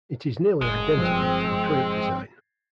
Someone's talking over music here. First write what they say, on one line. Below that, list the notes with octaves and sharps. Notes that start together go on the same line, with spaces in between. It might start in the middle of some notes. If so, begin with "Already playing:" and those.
It is nearly identical to the current design.
F#1 G#3
G2 F3 C4